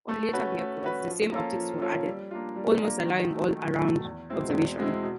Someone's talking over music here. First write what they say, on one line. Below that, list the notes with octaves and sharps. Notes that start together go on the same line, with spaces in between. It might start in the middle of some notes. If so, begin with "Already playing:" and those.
On later vehicles, the same optics were added, almost allowing all-around observation.
A3
C#4 F#4 B4
A3
C#4 F#4 B4
F3
A#3 C#4 F4 A4
F3
A#3 C#4 F4 A4
G3
A#3 D4 F4
G3
A#3 D4 F4
D#3
F#3 A3
D#3
F#3 A3
E2
B2 G#3 C4 E4
E2
B2 G#3 C4 E4
B2